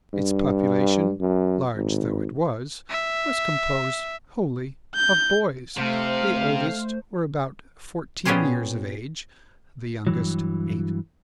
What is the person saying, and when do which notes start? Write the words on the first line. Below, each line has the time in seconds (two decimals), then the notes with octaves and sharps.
Its population, large though it was, was composed wholly of boys. The oldest were about fourteen years of age, the youngest, eight.
0.14 G2
1.21 F#2
1.76 G#1
2.90 E5
4.95 G6
5.78 C3 A3 C5 F5
8.25 A#2 B3 C#4 G4 G#4 C5
10.07 G2 E3 F#3